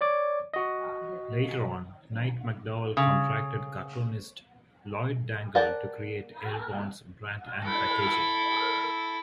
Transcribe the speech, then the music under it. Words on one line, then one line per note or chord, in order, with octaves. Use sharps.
Later on, Knight-McDowell contracted cartoonist Lloyd Dangle to create Airborne's brand and packaging.
C#5 D5 D6
F#4 D#5
C#3
A#4 D5 F#5 G5 A5
E4 A4